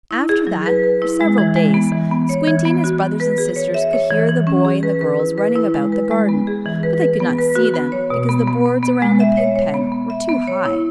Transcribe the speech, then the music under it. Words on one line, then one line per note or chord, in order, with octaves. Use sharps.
After that, for several days, Squinty and his brothers and sisters could hear the boy and the girls running about the garden, but they could not see them because the boards around the pig pen were too high.
E4
G#4
F#3
B4
B4
E4
G#3
E3
G#3
B3
E3
B3
C#5
E3
B3
F#4
B3
B4
G#4
C#5
E5
C#5
E3
E3
C#4
G#4
B4
B4
E4
B4
E4
G#3
B4
G#3
B3
G#4
E3
B4
B4
B3
B4
F#4
B3
C#5
B2
B3
B3
B3
B3
G#3
E5
C#5
C#5
B3
B3
E5
B3
C#5
E4